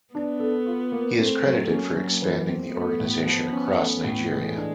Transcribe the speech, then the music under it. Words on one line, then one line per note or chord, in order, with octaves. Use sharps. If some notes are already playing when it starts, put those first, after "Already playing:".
He is credited for expanding the organisation across Nigeria.
B3 D4
A4
F4
A#3
A3 C4
F#3
A#3 C#4
F#3
E3
C4
A3 B3
A2
F3
C#4
A3
A2
E3 G#3
D4